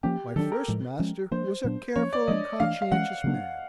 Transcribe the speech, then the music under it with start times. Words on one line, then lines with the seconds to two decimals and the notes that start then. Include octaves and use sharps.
My first master was a careful and conscientious man.
0.03 F3 A#3 C#4 G4
0.36 D#3 F#3 A#3 D4 A4
0.52 A#4
0.68 A2 F3 G#3
0.99 F3 G#3 C#4
1.31 F3 A#3 D4 C5
1.64 A#2 F#3 B3 D4
1.96 F3 A#3 C#4 C#5
2.13 D5
2.27 F3 G#3 B3 D4 D#5
2.60 E3 A3 D4 F5
2.82 F5
2.92 E3 G#3 C#4 F#5
3.24 C#3 F#3 A#3 D4